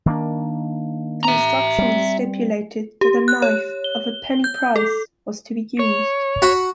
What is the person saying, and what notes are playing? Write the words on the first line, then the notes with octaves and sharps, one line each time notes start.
The instructions stipulated that a knife "of a penny price" was to be used.
D#3 A#3 D4
E5 A#5
G3 C4
G4
F#6
C#5
G7
G6
A4
C#5
F#4 F#5 B5